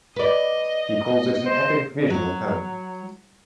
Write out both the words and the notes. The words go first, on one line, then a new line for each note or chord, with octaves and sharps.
He calls it an epic visual poem.
B4 D5 D#5
C5
F#3